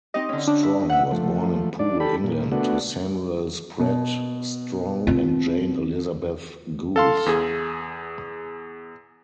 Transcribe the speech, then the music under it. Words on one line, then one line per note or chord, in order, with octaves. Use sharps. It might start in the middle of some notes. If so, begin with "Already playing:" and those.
Strong was born in Poole, England to Samuel Spratt Strong and Jane Elizabeth Goose.
C4 D#4 G4 D#5
D3 C#4
D4
E4
E5 F#5
F3 A3
D4 D5
G4 A4 B5
A#2
A3 B3 D4 F#4
B2
C4 F4
A4 F5 C6
E2 G#4